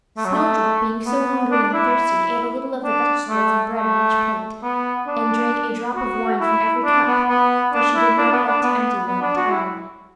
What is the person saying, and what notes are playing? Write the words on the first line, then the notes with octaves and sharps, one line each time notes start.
Snowdrop being so hungry and thirsty, ate a little of the vegetables and bread on each plate, and drank a drop of wine from every cup, for she did not like to empty one entirely.
A3
F#3
A3
B3
D4
D4
E4
D4
A3
A3
B3
D4
F#4
E4
D4
B3
B3
D4
E4
D4
B3
D4
B3
B3
D4
F#4
E4